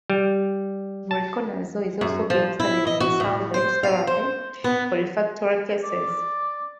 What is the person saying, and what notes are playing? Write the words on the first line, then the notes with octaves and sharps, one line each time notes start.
Voriconazole is also being studied in salvage therapy for refractory cases.
G3
A5
F#2
F3
E4
D#5
F#4
A2
C5
F5
C5
B3
D5